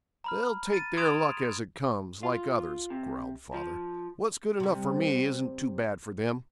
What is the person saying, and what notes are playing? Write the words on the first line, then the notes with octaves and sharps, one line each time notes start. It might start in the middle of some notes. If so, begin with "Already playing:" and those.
'They'll take their luck as it comes, like others,' growled father; 'what's good enough for me isn't too bad for them.
A#5 B5 F6
A6 D#7
C6 D#6 G#6 D7 E7 F7
F4
C3
F3
C3 G3